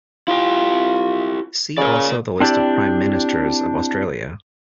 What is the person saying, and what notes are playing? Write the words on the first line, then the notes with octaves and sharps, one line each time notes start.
See also the list of Prime Ministers of Australia.
E4 F4 G4 G5
C#3 A#4 D5
C4 D4 E4 G4 D5